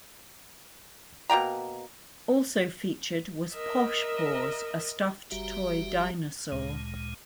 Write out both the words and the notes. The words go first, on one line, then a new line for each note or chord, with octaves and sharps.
Also featured was Posh Paws, a stuffed toy dinosaur.
B2 A#3 G5 A#5
A#4 D#5 E5
F#1 G3 F#4 G4 E5 A#5
D2 A#2 G#3